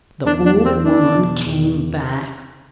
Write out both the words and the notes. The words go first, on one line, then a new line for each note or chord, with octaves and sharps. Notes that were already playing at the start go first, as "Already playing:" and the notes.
The old woman came back.
E2 D4
D4
E2
C4
E2 D4
B2
E2